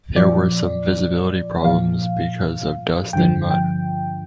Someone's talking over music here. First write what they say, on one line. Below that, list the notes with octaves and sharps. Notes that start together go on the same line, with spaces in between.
There were some visibility problems because of dust and mud.
A#2 F3 D5
A#2 F3 F5
G2 D3 F3 G5
G5